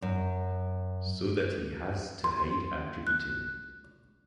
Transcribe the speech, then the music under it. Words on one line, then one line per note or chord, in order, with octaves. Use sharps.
So that he has to hide after eating.
F#2
C6
F#6